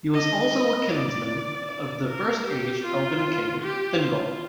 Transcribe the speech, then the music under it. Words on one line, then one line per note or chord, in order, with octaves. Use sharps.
He was also a kinsman of the First Age Elven King Thingol.
D#5
D5
A#4
G4
F4
G4
F4